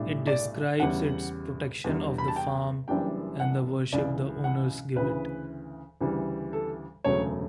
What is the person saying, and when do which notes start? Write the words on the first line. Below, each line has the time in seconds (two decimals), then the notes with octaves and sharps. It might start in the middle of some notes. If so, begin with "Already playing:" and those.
It describes its protection of the farm and the worship the owners give it.
Already playing: B1 A2 G3 D4
0.27 D5
0.80 E2 C#3 G3 C#4 F#5
1.84 E2 D3 G3
2.18 B5
2.28 A5
2.36 G5
2.88 F#1 F#2 E3 G3 D4 G5
3.40 F#5
3.93 C#2 C#3 E3 D5
4.44 F#5
4.96 D2 C#3 E3 B4
6.01 D2 C#3 E3 G3
6.53 A4
7.04 E1 D2 C#3 F#3 A3 C#5